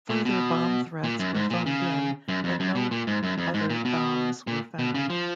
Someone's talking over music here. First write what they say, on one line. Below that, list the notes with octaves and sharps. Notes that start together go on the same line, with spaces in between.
Further bomb threats were phoned in, but no other bombs were found.
A#2
B2
A#2
F#2
G#2
A#2
C#3
F#2
F2
F#2
B2
A#2
G#2
F#2
F2
G#2
A#2
B2
A#2
B2
C#3
F3